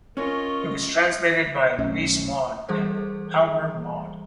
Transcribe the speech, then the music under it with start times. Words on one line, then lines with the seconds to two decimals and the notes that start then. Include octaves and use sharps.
It was translated by Louise Maude and Aylmer Maude.
0.17 C#4 F4 A#4 C#5 D#5 C#6
1.78 B1 A3 C#4
2.69 E3 G3 G#4 A4 C5